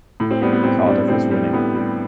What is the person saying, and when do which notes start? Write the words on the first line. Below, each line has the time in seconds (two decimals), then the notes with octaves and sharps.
Cardiff is winning.
0.20 A2
0.31 C4
0.42 G3 B3
0.53 B3
0.63 A2 C4
0.86 G3 D4
1.08 A2 C4
1.31 G3
1.53 A2 B3
1.75 G3